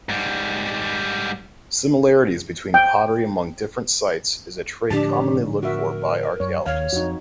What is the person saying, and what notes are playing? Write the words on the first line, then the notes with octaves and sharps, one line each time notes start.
Similarities between pottery among different sites is a trait commonly looked for by archaeologists.
G#2 G3
G5
A2 D3 F3 D4 G4 A5
C#5
F#4 A#4 E5
F#2 C#5
D#2 C#5 F5
F2 D#4 F#4